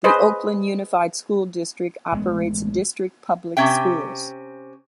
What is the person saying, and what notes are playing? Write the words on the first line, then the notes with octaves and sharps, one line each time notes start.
The Oakland Unified School District operates district public schools.
G#4 B4 C5 D#5
A1 G#3 B3
C3 C#4 E5 G5